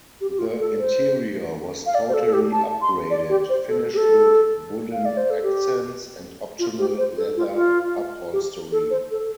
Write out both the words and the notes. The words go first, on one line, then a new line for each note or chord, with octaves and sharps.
The interior was totally upgraded, finished with wooden accents and optional leather upholstery.
G4
G4
F4
A4
C5
F5
D5
C5
A4
A4
G4
A5
C6
D5
G4
C5
A4
G4
A4
F5
D5
C5
A4
G4
F4
G4
C5
A4
F4
F4
G4
A4
C5
A4